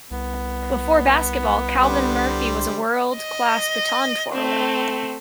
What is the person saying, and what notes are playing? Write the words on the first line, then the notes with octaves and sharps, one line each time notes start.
Before basketball, Calvin Murphy was a world-class baton twirler.
C2 B3
D3 G3 C5
D#5
A3 C4